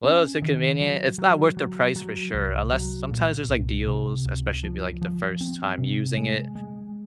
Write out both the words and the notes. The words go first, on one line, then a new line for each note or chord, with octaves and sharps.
Well, it's inconvenient, it's not worth their price for sure, unless sometimes there's like deals, especially if you're like the first time using it,
C#4
D#3
F#3
F#3
F#3
F#3
C2
F#3
A#2
C2
C3
C#2
F3
F3
C4
C3
G#3
G#3